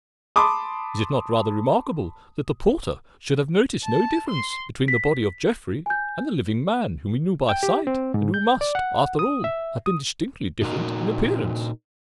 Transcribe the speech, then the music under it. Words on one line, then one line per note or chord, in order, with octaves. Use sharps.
"Is it not rather remarkable that the porter should have noticed no difference between the body of Jeffrey and the living man whom he knew by sight, and who must, after all, have been distinctly different in appearance?"
A5 B5 C6 D6 D#6
A5
C6
B6
G#5 G6
G5
G4
C4
G#2
G6
D5
F#5
D#6
E5
D#6
A#2 D#4 F#4 A#4